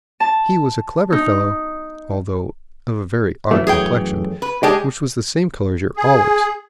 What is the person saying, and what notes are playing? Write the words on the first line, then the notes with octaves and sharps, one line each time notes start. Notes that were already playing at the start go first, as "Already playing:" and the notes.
He was a clever fellow, although of a very odd complexion, which was the same color as your olives.
A5
D#4
F#2 E3 A3
G#4 C#5 G5
B4
G#3 G4 G#4 D5 G5 A5
G#4